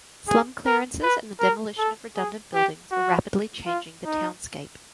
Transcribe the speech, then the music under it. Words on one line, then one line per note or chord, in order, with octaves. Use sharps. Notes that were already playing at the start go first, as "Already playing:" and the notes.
Slum clearances and the demolition of redundant buildings were rapidly changing the townscape.
G#4
A#4
B4
A#4
A4
G#4
G4
F#4
F4
D#4